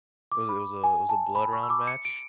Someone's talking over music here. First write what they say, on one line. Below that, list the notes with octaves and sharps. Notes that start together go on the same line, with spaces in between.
it was it was a it was a blood round match
D6
B5
G#5
A5
B5
C#6
E6
D6
C#7
D7